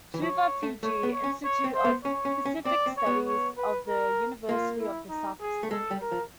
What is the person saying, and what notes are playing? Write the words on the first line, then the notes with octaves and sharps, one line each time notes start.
Suva, Fiji: Institute of Pacific Studies of the University of the South Pacific.
E3
F3 C#5
A3
A3 C#5
B3
C#5
C#4
C#5
C4
C5
B3
C#4 C#5
C#4
C#4
C4 D5
C4
C#5
B3
C#5
B4
A#4
A#3 F4
E4
D#4
G#4
A3
G#3 A4
G3
A#4
F3